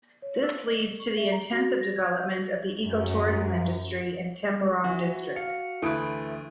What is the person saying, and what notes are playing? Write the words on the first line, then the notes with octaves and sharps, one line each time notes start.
This leads to the intensive development of the eco-tourism industry in Temburong district.
C#5
E6
D#5
C#6
E5
A#5
F#4
A#6
G#6
G6
F#4
F#2
E3 F#4
F5 C#7
D2 E3 A3 E4 B4 D#6 D7